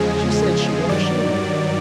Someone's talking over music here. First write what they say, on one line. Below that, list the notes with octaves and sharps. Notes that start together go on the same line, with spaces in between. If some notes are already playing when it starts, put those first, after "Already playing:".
She said she warn't ashamed of me.
Already playing: E2 C#3 F3 G#3 G#4
G#4
G2 D#3 F#3 D5